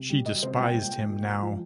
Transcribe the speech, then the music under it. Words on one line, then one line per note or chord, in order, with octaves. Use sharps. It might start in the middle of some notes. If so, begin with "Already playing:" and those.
She despised him now.
Already playing: C3
G3
G3 D#5
C3 C5
A#2 G5
G#3
G#3
A#2
G#3
F3